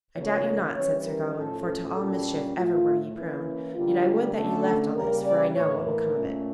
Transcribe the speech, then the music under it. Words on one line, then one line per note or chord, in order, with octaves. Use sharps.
"I doubt you not," said Sir Gawain, "for to all mischief ever were ye prone; yet I would that ye left all this, for I know what will come of it."
C#3 F3 A#3 C#5
E3 G3 C#4 C#5
A#4
A2 F3 C#4 A4
A4
A#2 G3 C#4 A4
A2 F3 A3 F4
E3 A#3 C#4 E4
D3 G3 A#3 F4
D3 A3 C#4 A4
C#3 G3 A#3 C#4 A#4
D5
A2 E3 A#3 C#5
A#4
A#2 A3 C#4